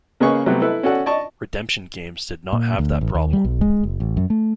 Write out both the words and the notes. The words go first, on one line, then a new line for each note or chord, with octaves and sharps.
Redemption games did not have that problem.
C#3 A#3 G#4 B4 C#5 C#6
C3 F#3 G3 A3 B3
E4 A4 B4
C#4 F#4 A4 D5 F#5
D5 D#5 A5 C#6
A#2
D2
A1
D#2
G3
B1
G#3
F#1
A1
F#2
A3